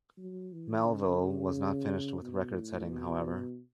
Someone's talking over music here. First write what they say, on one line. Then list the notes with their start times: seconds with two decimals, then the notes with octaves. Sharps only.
Melville was not finished with record-setting, however.
0.18 F#3
0.52 E3
0.86 C#3
2.22 B2
2.55 A2
2.90 B2